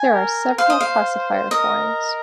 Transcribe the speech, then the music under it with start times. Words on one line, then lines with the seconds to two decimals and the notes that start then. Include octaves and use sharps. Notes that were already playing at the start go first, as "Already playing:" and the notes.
There are several classifier forms.
Already playing: G#5
0.12 A#4
0.58 C5 F5
0.70 D#5
0.81 F5
1.51 A#4 D#5